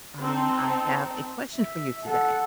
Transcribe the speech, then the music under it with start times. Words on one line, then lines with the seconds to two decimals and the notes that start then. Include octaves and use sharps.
Um, I have a question for you today.
0.21 C4 D#4 A4
1.56 E5
2.04 A4 F#5